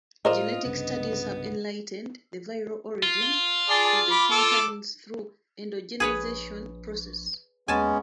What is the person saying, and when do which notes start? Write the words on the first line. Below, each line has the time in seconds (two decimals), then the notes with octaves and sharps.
Genetic studies have enlighted the viral origin of syncytins through endogenization process.
0.25 A2 F4 A#4 C5 D5 D#5
0.65 C2 G2 C#3 B3
3.03 F4
3.69 G#4 D5 A5
4.11 B5 D6
4.31 A4 D6 E6
6.00 A#1 G#4 B4 C#5
7.68 D#2 G#3 B3 C#4 G#5 A5